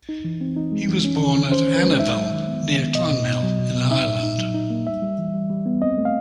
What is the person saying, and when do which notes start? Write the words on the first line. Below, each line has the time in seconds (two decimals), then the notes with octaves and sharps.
He was born at Annerville, near Clonmel in Ireland.
0.09 D#4
0.25 E3
0.41 C4
0.56 D#4
0.72 G#3
0.88 E3
1.04 C#4
1.20 D#3
1.36 C#4
1.52 C#4 C5
1.68 C#4
1.76 B4
1.83 G#3
2.00 D#4 E5
2.16 F#3
2.32 D#3
2.47 B3
2.63 D#3
2.79 B3
2.95 B2 D#5
3.11 B2
3.27 B2
3.43 F#3
3.59 B2
3.75 B2
3.91 D#4 E5
4.07 A#2
4.23 D#4
4.38 F#3
4.54 D#4
4.70 A#3
4.86 G3 E5
5.02 G3
5.18 E3
5.34 G3
5.50 G3
5.66 B3
5.82 C4 D#5
5.98 A3
6.05 F5